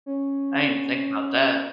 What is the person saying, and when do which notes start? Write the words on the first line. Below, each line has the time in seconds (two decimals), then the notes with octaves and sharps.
I didn't think about that.
0.06 C#4